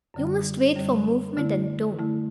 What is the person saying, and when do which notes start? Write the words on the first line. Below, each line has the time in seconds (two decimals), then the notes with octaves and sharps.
You must wait for movement and tone.
0.14 F#2 D3 G3
0.76 F#2 D3 G3
1.37 D3 A3 E4
1.99 D3 A3 E4